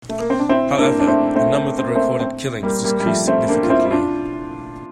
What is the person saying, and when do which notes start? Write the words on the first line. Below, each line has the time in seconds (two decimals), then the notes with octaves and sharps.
However, the number of the recorded killings decreased significantly.
0.09 A3
0.20 A#3
0.30 C4
0.39 D4
0.49 C4 E4
0.78 A#3 D4
1.00 D4
1.07 A3 C4
1.36 A3 C4
1.78 C4
1.87 A#3
1.95 A3 C4
2.20 A3 C4
2.63 G3 A#3
2.84 G3 A#3
3.00 G3
3.06 F3 A3
3.28 A3 C4
3.48 A#3 D4
3.63 F4
3.70 C4 E4
3.85 E4
3.91 D4 F4